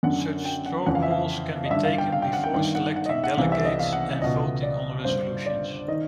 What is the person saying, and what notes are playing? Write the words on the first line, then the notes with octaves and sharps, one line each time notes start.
Such straw polls can be taken before selecting delegates and voting on resolutions.
F#2 D3 F#5
G5
F#5
F2 C#3 E3 F#5
F5
E5
F5
D#5
G2 D3 E5
F5
G5
F5
G5
F#5
G5
G2 D#3 G5
F#5
F#5
D#5
E5
F#5
C2 C3 E3 F5
E5
D#5
F5
F#5
C#2 B2 D#5
D5
G2 D3 C5
D5
D#3 D#5